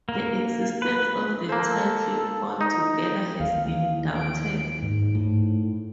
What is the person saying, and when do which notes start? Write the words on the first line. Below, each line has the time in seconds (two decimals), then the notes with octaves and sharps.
The existence of the title altogether has been doubted.
0.09 A#3
0.82 B4
1.49 A#3 A4 C5
2.61 D#4
3.40 D#2 F5
4.15 D7
4.82 G#2
5.15 A2